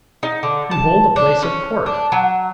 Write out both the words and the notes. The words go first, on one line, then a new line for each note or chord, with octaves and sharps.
You hold a place at court.
D#4
D3
A5
D4
C#4
D4
F#3